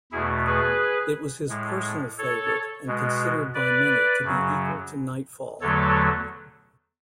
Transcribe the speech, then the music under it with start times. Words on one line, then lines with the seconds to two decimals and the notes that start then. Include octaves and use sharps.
It was his personal favorite and considered by many to be equal to "Nightfall".
0.12 E2 B2 A3 E4 G#4
0.47 G#4 B4
1.49 A2 G#3
2.18 A4 C#5
2.87 B2 G#3
3.54 B4 D5
4.23 F#2 C#3 F#3
5.61 E2 D3 F#3 A3 A4 C#5